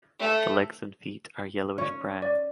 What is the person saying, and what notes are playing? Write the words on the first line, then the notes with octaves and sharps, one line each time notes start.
The legs and feet are yellowish-brown.
A3
C#4 C#5
D5